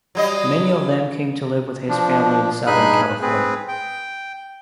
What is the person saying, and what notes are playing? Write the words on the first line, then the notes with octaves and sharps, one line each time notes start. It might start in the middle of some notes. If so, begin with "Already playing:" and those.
Many of them came to live with his family in Southern California.
F#3 G3 D#5
F3 D4
G2 D#4 G#4 G#5 B5 F#6
C4 G#4 B4
G5